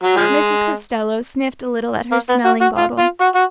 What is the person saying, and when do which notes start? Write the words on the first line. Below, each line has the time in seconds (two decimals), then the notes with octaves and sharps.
Mrs. Costello sniffed a little at her smelling bottle.
0.03 F#3
0.16 F3 G#3
2.12 A#3
2.29 B3
2.45 F#4
2.61 F#4
2.78 F4
2.99 F4
3.21 F#4
3.35 F#4